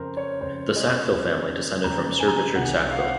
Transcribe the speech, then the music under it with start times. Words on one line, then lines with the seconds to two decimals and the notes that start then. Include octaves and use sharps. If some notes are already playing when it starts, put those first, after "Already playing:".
The Sackville family descended from Sir Richard Sackville.
Already playing: F2 C#3 A#4 C5
0.17 C#5
0.41 F2 C#3 C5
0.76 D#5
1.12 F2 C#3
1.84 F2 C#3 A#5
2.20 G#5
2.28 A#5
2.36 G#5
2.55 C2 C3 D#3 F#5
2.91 F5
2.99 F#5